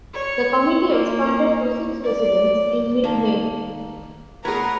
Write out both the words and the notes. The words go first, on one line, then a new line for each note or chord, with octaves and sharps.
The committee expanded to six residents in mid-May.
C#5
A#3
D5
D#3 A#3 A5
A3 B3 G#4 A#4 B4 C#5 A#5